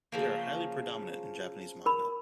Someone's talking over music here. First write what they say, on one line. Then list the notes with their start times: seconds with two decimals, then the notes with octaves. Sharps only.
They are highly predominant in Japanese manga.
0.12 C#3 F3 A#3
1.86 A#4 B5